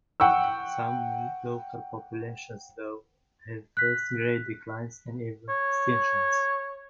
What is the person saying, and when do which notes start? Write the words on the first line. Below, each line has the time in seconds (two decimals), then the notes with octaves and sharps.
Some local populations, though, have faced great declines and even extinctions.
0.20 F#5 G5 C#6 E6
3.77 F#6 B6
5.49 C#5